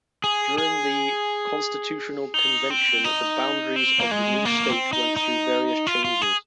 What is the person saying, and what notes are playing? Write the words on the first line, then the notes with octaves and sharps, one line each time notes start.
During the constitutional convention the boundaries of the new state went through various changes.
G#4
G#4
D#4
C4
D#4
C4
A#3
G#3
A#3
C4
D#4
D#4
F4
F4
G#4